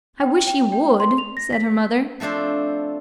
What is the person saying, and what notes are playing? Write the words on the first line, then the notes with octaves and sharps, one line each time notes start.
"I wish he would!" said her mother.
G5
G5
G5
C6
F7
A#6
B6
F3 A3 C4 D4 C5